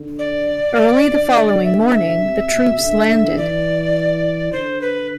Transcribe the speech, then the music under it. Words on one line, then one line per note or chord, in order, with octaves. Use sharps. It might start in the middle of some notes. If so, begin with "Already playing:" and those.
Early the following morning, the troops landed.
Already playing: D3
D5
D3
E5
E5
C3
B2
D3
E3 D5
D3 C5
B4